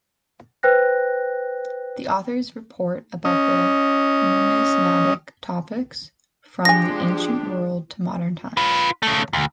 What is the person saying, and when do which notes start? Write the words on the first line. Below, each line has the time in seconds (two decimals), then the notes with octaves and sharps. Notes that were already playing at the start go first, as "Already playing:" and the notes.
The authors report about the numismatic topics from the ancient world to modern times.
0.63 B4 C5 G5 F#6 A#6
3.25 C#4 D#5
6.65 F3 G#3 D4 G4 D5 G#5 A#6
8.57 F4 B4
9.03 C#3 A3
9.33 D2